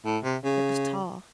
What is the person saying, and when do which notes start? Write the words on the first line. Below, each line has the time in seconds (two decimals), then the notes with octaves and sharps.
It was Tall.
0.05 A2
0.24 C3
0.44 C#3